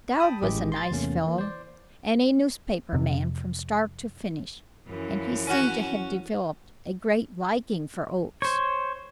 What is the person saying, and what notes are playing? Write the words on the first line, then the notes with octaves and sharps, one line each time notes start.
Dowd was a nice fellow, and a newspaper man from start to finish, and he seemed to have developed a great liking for Oakes.
G5 A5 B5 D#6
A1 G#3 E4 G4 G#4
C6 A6
E2 C3 A3 A#3 C#4
E3 A#3
C5 D5
F2 C3
F#2 E3 F3
C#4 F#4
C5 C#5